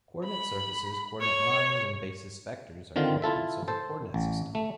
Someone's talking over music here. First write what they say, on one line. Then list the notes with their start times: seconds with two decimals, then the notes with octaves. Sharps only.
Coordinate surfaces, coordinate lines, and basis vectors are components of a coordinate system.
0.25 B5
1.21 C#5
2.96 D3 D#3 C4 F4
3.22 E4 F4 A4 E5
3.68 A4 C5
4.14 A1
4.55 A3